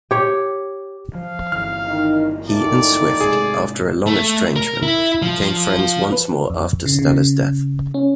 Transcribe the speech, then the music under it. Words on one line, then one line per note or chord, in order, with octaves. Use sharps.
He and Swift, after a long estrangement, became friends once more after Stella's death.
G4 C#5
F3 F5
G1 E3 F6
D#3
A#2 D#3 A3 D5
G#2 C3 G#4
A3
A#4
E4
F3
B4
F2
C#3
C#3
C#4